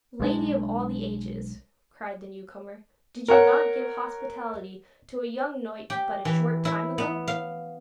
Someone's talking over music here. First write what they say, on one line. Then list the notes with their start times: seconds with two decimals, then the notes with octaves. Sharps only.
'Lady of all the ages,' cried the new comer, 'did you not give hospitality to a young knight but a short time ago?'
0.20 B1 G#3 D4
3.28 A#4 C#5 F#5
5.90 G4
6.25 E3
6.65 E4
6.98 B3
7.28 F5